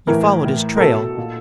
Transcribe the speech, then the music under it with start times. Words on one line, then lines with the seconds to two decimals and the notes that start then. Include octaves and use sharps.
"You followed his trail?"
0.07 A2 E3 A#4
0.45 A2 E3
0.77 A#4
0.80 B2 A4
1.17 A#2